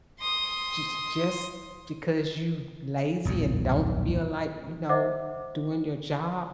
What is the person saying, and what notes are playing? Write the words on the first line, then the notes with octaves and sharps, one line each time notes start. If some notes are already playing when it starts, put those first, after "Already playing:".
jus just because you lazy and don't feel like, you know, doing your job,
C6 D#6
D#1 B1 F2
C5 D#5 E5 F#5 D6